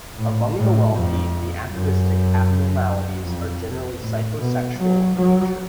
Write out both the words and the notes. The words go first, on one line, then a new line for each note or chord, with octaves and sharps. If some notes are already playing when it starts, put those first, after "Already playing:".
Among the wealthy the atavistic abnormalities are generally psychosexual in nature.
A2
A2
F2
F#2
F2
A2
B2
F#3
F#3